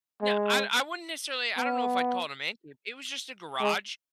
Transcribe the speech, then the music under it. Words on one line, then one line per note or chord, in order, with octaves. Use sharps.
No, I I wouldn't necessarily I don't know if I'd call it a "man cave." It was, just, a garage.
G#3
B3
G#3